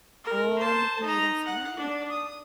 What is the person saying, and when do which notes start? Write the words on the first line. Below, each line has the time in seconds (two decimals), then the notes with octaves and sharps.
Oh, that's right.
0.24 A#4
0.58 C5 A5
1.03 D#4 A#5
1.45 F#5
1.76 D4
2.10 D#6